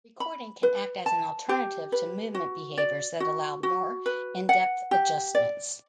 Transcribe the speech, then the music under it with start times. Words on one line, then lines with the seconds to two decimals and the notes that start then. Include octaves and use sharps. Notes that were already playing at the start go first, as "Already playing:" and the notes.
Recording can act as an alternative to movement behaviors that allow more in-depth adjustments.
0.20 B5
0.63 B4
1.06 A5
1.49 G4
1.92 B4
2.35 F#4
2.78 D5
3.20 F#4
3.63 F#4
4.06 B4
4.49 F#5
4.91 G4
5.35 D5